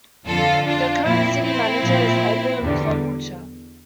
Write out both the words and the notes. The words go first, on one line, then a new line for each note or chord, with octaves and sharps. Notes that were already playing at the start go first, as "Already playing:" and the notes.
The current city manager is Edward Klobucher.
F2 D3 F3 F4 A4
D4 F4
A#2 F3 C4 E4
C4 E4
A#2 F3
E2 D3 G3